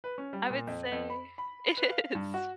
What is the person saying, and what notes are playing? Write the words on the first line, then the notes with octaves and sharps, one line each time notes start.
I would say it is
B4
C#4
G3
A#2
F2
F2
B5
B5
B4
F5
G2
F#4